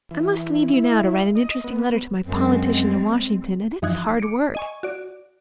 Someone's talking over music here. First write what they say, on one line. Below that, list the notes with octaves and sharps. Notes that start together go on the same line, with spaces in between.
I must leave you now to write an interesting letter to my politician in Washington, and it's hard work.
E3
E4
D#5
B3
F#2 G#3 C4
F#2 E3 F3 D#4 F#6 G#6
D6 C#7 D7
D#5 G#5 C#6
F#4 D5